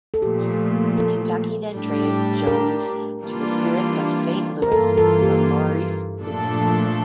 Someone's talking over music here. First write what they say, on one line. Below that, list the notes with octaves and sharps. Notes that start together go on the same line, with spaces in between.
Kentucky then traded Jones to the Spirits of Saint Louis for Maurice Lucas.
A4
A#2 F3 A3 G4
A4
A2 G3 D4 G4
A#4
E3 G3 A#3 D4 F4
A#4
G2 E3 A#3 F4 A4
A4
G4
A#2 F3 A3 D4 A4